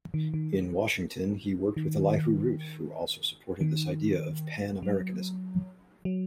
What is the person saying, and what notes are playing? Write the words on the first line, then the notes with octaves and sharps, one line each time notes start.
In Washington, he worked with Elihu Root who also supported this idea of Pan-Americanism.
D#3
D#3
D#3
D#3
F#3
F#3